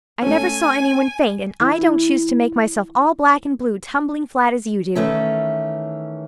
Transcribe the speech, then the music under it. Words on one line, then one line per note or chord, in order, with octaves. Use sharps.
I never saw anyone faint, and I don't choose to make myself all black and blue, tumbling flat as you do.
A3 C#4 G#5
E3 E4
D#3 E3 A3 C#4